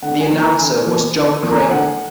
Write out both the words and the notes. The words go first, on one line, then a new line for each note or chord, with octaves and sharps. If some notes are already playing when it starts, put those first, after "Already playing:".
The announcer was John Cramer.
D3 F#5
G#5
F3 A#3
A#5
D3 G#5
F3 A#3
D3
F3 A#3
A#5
G#5
D3 F#5